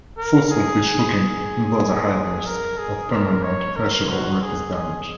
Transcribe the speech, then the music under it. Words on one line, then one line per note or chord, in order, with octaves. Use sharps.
Forceful fish-hooking involves a high risk of permanent facial or orifice damage.
A#4
G#4
G#4
A#4
G#4
A#4
C#5
A#4
F#4
G#4
G#4